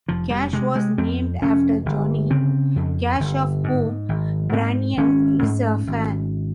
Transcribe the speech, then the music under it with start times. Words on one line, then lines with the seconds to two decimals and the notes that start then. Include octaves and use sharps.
Cash was named after Johnny Cash, of whom Branyan is a fan.
0.08 F1 F3
0.30 G3
0.53 C3 G#3
0.76 G#3
0.98 F2 C4
1.42 F1 C#4
1.86 G1
2.31 C#3 C4
2.76 F2
3.20 G1
3.64 G#2
4.09 G#1
4.53 G#2 C4
4.97 G#1 C#4
5.42 G#2
5.87 G#1